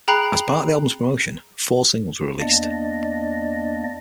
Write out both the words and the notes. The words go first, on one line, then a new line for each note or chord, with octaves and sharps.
As part of the album's promotion, four singles were released.
G#4 G5 A#5 B5 F#6 C7
E2 A#3 D4 D5 D#5